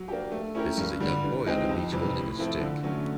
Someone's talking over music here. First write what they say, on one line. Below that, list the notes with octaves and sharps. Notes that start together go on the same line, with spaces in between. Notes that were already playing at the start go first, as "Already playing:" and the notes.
This is a young boy on a beach holding a stick.
Already playing: F#3
A#3 D4 G4
A3
C#4 E4 G4 A#4
G2
D3 G3
E3
G#3 C4 D#4 G4
F2
C3 E3 G3
A2
F3 A3 C4 E4
D3
F#3 A3 C#4